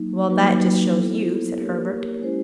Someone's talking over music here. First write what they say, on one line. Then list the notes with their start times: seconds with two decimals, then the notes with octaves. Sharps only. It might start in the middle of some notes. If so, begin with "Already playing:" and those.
"Well, that just shows you," said Herbert.
Already playing: F#3 A#3 D#4
0.29 F#3 A#3 D#4 F#4 B4
0.94 B3 E4 A4 C5
1.58 A#3 D4 G4 A#4 C#5
2.22 G#3 C#4 E4 G4 C5